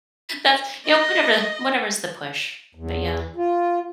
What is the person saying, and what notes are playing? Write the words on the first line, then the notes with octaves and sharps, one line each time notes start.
that's you know, whatever whatever's the push, but yeah.
D#5
E2
F4